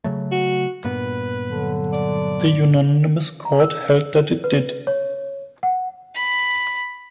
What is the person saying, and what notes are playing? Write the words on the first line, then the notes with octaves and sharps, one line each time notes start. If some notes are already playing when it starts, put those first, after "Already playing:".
The unanimous Court held that it did.
C#3 F#3 A3
F#4
G2 A#2 B3 B4
D3 F#3
D5
A#5
E6
B4
C#5
F#5
B5